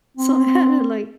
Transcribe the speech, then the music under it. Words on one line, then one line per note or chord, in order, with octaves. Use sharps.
so I had to, like
C4